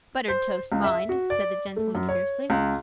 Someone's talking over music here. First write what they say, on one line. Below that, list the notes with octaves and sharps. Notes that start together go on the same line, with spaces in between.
'Buttered toast, mind,' said the gentleman fiercely.
C5
C#2
E5
F#4
D5
A3
F#2
C#5
C#2